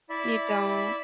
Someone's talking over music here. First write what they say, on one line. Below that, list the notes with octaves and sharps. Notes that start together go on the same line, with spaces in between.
You don't.
E4 D5 E5 B5